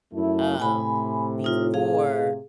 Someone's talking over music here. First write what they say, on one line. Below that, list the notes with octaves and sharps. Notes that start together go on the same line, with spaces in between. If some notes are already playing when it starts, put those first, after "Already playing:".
Um, before
F#2 A3 E4
A2 C3 G#5 B5
D#4 F4
G#4 F5